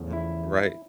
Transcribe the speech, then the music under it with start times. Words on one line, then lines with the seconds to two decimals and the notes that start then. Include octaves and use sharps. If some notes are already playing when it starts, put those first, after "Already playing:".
M Right.
Already playing: E2 C#3 F3 A3
0.13 E4